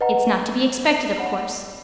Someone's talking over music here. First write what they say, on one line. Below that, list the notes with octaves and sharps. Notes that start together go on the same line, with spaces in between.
It's not to be expected, of course.
B4 D#5 F#5 A#5
C#5 F#5 B5 F6